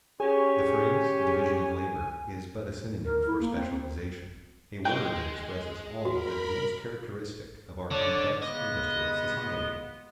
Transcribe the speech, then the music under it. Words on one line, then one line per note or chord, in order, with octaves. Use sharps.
The phrase division of labor is but a synonym for specialization, a word that expresses all that is most characteristic of our complex industrial society.
C#4 G4 G#4 C#5 G#5
A#4
E4
A#3
C4
G#3 G5
F#4 A#4 B5
D3 C#5 D5
C#3 G#3 B3 D#5